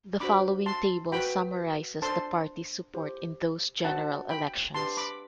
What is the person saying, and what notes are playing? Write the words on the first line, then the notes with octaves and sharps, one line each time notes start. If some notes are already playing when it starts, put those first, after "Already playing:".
The following table summarises the party's support in those general elections.
D4 F#4 C5 B5 D6
A5 C6
F#4 B4 G5 B5
D4 A4 C5 A5 C6
E4 G4 C5
D4 F#4 A4 C5 F#5 A5
G5 B5
D4 G4 B4 A5 C6
B5 D6